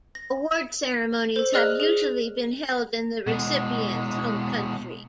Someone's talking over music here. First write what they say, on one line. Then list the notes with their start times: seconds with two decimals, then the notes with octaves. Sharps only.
Award ceremonies have usually been held in the recipient's home country.
0.15 A#6
1.36 A4 C5
1.53 G#4 D5 D#5 F6 F#6
1.80 G#4
3.27 B2 G#3